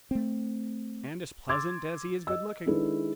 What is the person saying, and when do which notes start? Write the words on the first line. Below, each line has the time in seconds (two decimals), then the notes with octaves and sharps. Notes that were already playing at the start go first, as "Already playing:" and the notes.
And as pleasant as he is good-looking.
0.11 A3 C4
1.49 C6 D6 E6 G#6 A6
2.27 D#5 E6
2.66 D#3 G#3 D4 E4 A4 B4